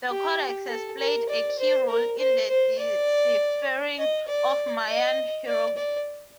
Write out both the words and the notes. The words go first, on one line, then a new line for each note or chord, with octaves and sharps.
The codex has played a key role in the deciphering of Mayan hieroglyphs.
G4
A4
A#4
D5
C5
A#4
C5
C5
D5
D#5
D5
D#5
D5
D5